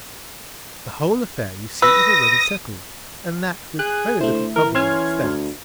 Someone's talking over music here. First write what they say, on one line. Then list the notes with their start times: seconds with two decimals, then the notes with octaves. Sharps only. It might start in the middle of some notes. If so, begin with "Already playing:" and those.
The whole affair, you see, is already settled, and that with very little trouble or expense.
1.82 B4 D#6 E6 A#6
3.79 G#4 F#6
4.20 D3 A3 E4 C5
4.56 E3 A#4
4.75 C#4 C6 F6 G#6
5.22 D2